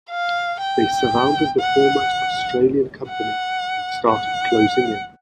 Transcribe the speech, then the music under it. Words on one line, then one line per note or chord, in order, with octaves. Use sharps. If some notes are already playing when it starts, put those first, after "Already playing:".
They surrounded the foremost Australian Company and started closing in.
F5
G5
F#5
F#5
F#5